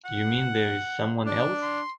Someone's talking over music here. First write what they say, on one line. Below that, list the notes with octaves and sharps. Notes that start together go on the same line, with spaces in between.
You mean there's someone else?
F#5
D4
C6